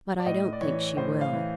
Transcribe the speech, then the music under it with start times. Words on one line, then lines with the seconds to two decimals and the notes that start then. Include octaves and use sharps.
"But I don't think she will."
0.20 D5
0.26 A2 D#5
0.53 D5
0.61 E3 C#5
0.97 A2 C5
1.21 F5
1.33 E3